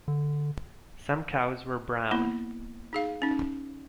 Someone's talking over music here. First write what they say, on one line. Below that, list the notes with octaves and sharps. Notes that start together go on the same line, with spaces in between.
Some cows were brown.
D3
A#3 B3 E4
D#4 G#4 F5
C#4 D#4